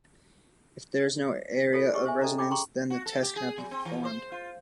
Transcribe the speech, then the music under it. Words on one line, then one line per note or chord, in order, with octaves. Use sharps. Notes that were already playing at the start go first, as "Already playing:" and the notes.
If there is no area of resonance, then the test cannot be performed.
F4 A4 C#5
G4 G#4 D#5 C#6
C5 E5 G#5
C#4 A4 D5 D#5 A#5
G5 B5 D6
G#4 G5 A#5 C6 C#6
F#4
A4
G4
G#4
F#3
C4
E3
C5
F4